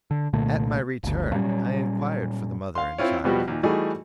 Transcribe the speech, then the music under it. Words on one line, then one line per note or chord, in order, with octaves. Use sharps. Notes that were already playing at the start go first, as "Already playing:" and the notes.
At my return, I enquired for the mother and child.
D3
C2 A#2 D3 A3
G1 D2
A#2 F#3 G3 C#4
F5 C6
C4 E4 F4 C#5
B2 F3 G3 B3 F#4 G4
D#2 A#2
E3 G3 A3 D#4 F#4 G#4